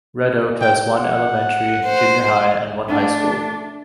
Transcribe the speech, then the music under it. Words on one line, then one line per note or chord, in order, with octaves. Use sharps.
Red Oak has one elementary, junior high, and one high school.
G5
F#5
C5
A3 D4